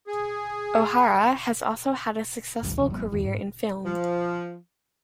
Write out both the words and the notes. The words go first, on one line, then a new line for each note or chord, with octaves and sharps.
O'Hara has also had a successful career in film.
G#4
B1 F2 D#3 G3
D#2 C3 F3
G#1 F#3 G#3 B3
E2 G2 D#3 E3
G#2
F3